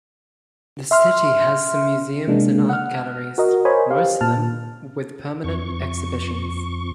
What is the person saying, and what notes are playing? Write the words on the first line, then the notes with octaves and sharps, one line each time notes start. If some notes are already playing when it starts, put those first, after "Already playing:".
The city has some museums and art galleries, most of them with permanent exhibitions.
E5 C6 F6
C3 G#3 A#3 D4
F#5 F6
F#4 A#4 D#5
A#4 C5 C#5 D#5 G#5 B5
G4 C5 F5
A#2 A5 F6
F2 C#6